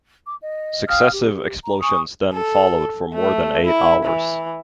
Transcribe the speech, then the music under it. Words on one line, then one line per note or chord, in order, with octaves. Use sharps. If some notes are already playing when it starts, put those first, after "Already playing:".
Successive explosions then followed for more than eight hours.
D6
D#5
F5 G5 D#6 F6
G4
A#5
G#5 C#6 D#6
A4
A3
E4
E3